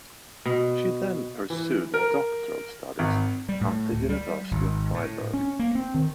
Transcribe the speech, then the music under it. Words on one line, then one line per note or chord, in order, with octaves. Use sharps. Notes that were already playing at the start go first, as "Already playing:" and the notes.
She then pursued doctoral studies at the University of Freiburg.
B2
E3
A#4
G#1
G3
A2
D2
G3
G#1
A2
C#4
A#3
C4
D#3